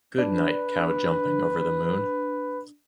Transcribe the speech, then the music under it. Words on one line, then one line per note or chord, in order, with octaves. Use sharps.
Goodnight cow jumping over the moon.
D4 B4